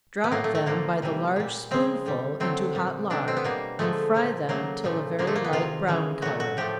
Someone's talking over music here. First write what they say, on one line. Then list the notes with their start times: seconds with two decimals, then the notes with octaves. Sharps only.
Drop them by the large spoonful into hot lard, and fry them till a very light brown color.
0.24 B3
0.32 A2 F#3 A3 A#3
0.44 A3
0.55 A3
0.66 D3 F3 A3 A#3
1.02 C3 E3 G3
1.36 A#2 G3
1.71 C#3 F3 G#3 C4
2.06 D3 G3
2.40 D3 F#3 A3 C4
2.75 A#2 G3
3.10 B2 F#3 A3 D4
3.28 C4
3.37 B3
3.44 B2 G3 A#3
3.79 D3 F3 G#3 A3
4.14 A#2 F3 A3
4.49 C#3 F#3 A3 A#3
4.84 A#2 F3 A3
5.19 D3 F3 G#3 A#3
5.27 A3
5.36 A#3
5.44 B3
5.53 C3 D#3 G#3 F4
5.88 C#3 E3 G#3
6.22 A#2 F#3 A3 F#4
6.40 F#4
6.57 A2 F3 A3 G4